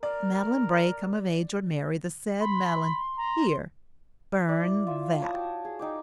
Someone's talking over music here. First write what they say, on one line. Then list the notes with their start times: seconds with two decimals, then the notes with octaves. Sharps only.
"Madeline Bray--come of age or marry--the said Madeline"--here, burn THAT!'
0.03 A#4 D5
2.41 B5 C6
3.17 A#5
4.49 E4 D5
4.87 F4 E5
5.22 C#5 A5 D#6
5.34 F#4 G5
5.65 G#4
5.79 D#4 G5 D6